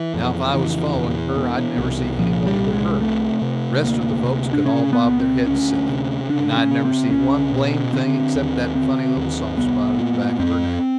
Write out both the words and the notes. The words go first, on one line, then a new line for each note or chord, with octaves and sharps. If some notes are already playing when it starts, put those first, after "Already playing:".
Now if I was following her, I'd never see anybody but her; rest of the folks could all bob their heads silly, and I'd never see one blame thing except that funny little soft spot at the back of her neck.
Already playing: E3
F2
C#3 E3
E2
B2
C2
A#2 F3
G3
C2
G#3
C3 A3
C3
D2 A#3
C3
D4
C#3 C#4
B3
C#2
C4
D2 C#4
C3
C#3 D4
C#4
C#3
C4
C2 C#4
B2
D3 C4
D#2
D3 C4
D#2
C2 B3
A#2
F2 C4